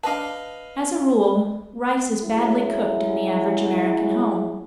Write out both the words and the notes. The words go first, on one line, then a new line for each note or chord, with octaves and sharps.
As a rule rice is badly cooked in the average American home.
D4 B4 D#5 F5 A5
F#3 G#3 C#4 E4